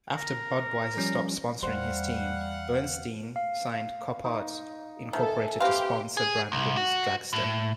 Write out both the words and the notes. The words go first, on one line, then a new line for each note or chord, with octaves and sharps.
After Budweiser stopped sponsoring his team, Bernstein signed Copart Incorporated to sponsor Brandon's dragster.
A#4
F3 G3 C#4
E2 G3 C5 F5 F#5
F5
D#4
D#3 A4 E5 G#5 A#5
C4 G4 B4 F5 G5 C6
G#4
C2
F#4
A2